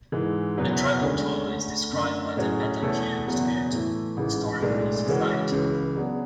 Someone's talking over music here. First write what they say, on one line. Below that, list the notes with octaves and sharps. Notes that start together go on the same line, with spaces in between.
A driving tour is described by the Pettaquamscutt Historical Society.
G#2 E3 G#3
F#1 E2 B2 F#3 B3
D2 D3 G#3 C#4
D2 D3 A3
F#2 D3 A3
A2 F#3 C#4 G#4
E2 B2 A3 E4 A4
F#1 E2 B2 F#3
A2 E3 A3 E4
A1 G#2 E3 G#3
B1 A2 G#3 D4
C#3 E3 G#3 C#4 F#4
C#2 C#3 E3
C#3 F#3 B3 D4 G#4